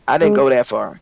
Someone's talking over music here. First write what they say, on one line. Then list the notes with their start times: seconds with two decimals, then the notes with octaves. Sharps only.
I didn't go that far.
0.22 G#3